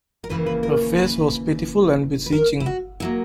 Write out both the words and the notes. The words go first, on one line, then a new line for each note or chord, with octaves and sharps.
Her face was pitiful and beseeching.
A#4
D#2 C#3 E3 A#3 B4
B4
A#4
C#5
B4
B4
A#4
E4
F#4
F#3 A#3 E4